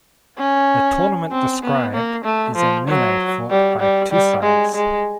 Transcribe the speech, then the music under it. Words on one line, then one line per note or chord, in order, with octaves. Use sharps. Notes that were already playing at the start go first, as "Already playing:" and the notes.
The tournament described is a melee fought by two sides.
C#4
C4
B3
A#3
A3
F3
F#3
G3
G3
G3
G#3
G#3